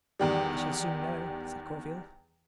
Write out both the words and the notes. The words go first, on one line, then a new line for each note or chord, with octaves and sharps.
"I shall soon know," said Gourville.
E2 D#3 G3